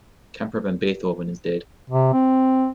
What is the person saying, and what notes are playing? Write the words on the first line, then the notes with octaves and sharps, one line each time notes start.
Camper Van Beethoven Is Dead.
C3
C4